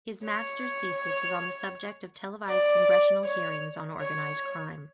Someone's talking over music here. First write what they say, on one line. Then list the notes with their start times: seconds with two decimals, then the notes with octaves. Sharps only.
His master's thesis was on the subject of televised congressional hearings on organized crime.
0.25 C#5
2.49 D5
3.25 C#5
4.00 C#5